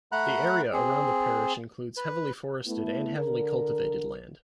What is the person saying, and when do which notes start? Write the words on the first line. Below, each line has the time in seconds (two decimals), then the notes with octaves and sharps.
The area around the parish includes heavily forested and heavily cultivated land.
0.12 A3 F#5 A#5 B5 F#6
0.73 C4 G#4
1.97 B4
2.66 A3 B3 E4
3.16 D3 A#4